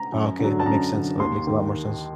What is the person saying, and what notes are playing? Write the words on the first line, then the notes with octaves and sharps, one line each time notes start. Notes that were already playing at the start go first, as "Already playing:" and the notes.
Oh, okay, that makes sense. Oh, that makes a lot more sense.
Already playing: A#5
F#2
D3 F#3
A5
F#2 A#5
D3 F#3
D#2 C6
D#3